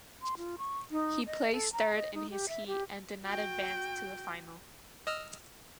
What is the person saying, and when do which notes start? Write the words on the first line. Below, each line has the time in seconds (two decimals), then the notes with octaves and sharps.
He placed third in his heat and did not advance to the final.
0.22 C6
0.37 F4
0.58 C#6
0.91 D#4
1.26 D#5
1.52 A4
1.73 A#5
1.94 D#5
2.14 D#4
2.30 G4
2.49 E5
2.67 G4
3.23 F#4 G5
5.07 D#5 E6 F6